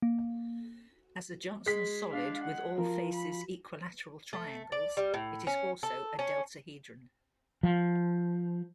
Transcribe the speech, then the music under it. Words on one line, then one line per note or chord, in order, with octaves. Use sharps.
As a Johnson solid with all faces equilateral triangles, it is also a deltahedron.
A#3
G#3 B6
D4 F5
F#5
F3 A#4
B5
A3
D5
G3
A2
C#4
A4
C#4
F3